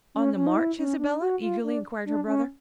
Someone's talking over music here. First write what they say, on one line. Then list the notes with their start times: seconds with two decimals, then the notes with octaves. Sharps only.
"On the march, Isabella?" eagerly inquired her brother.
0.15 C#4
0.36 C#4
0.47 D#4
0.57 E4
0.79 C#4
0.99 D4
1.21 F#4
1.42 F4
1.64 D4
2.05 D4
2.27 C#4